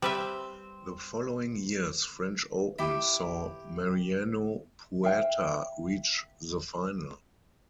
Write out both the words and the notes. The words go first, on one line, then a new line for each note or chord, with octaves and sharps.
The following year's French Open saw Mariano Puerta reach the final.
G3 C4 B4 E5
E4 G4
E5 F5 G5